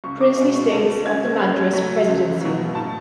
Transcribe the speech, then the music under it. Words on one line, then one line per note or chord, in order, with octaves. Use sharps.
Princely States of the Madras Presidency.
C#2 C#6
D6
B2 G#3 C#6
C#6
D2 A5
C#3 G#3 G#6
F#2 G#6
C#3 F#3 A3
C#2
B2 F#3
A2 A5